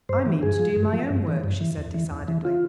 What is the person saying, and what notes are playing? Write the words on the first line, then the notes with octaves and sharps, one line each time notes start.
"I mean to do my own work," she said decidedly.
G2 C5
E3
G2 G#4
F3
G2
F3
G2
E3
G2
E3
E2
E3
E2
E3
F4